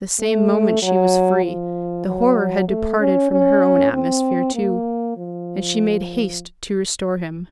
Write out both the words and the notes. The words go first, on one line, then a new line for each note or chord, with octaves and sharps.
The same moment she was free; the horror had departed from her own atmosphere too, and she made haste to restore him.
A3
F#3
F3
F#3
A3
C#4
C#4
C4
A#3
F3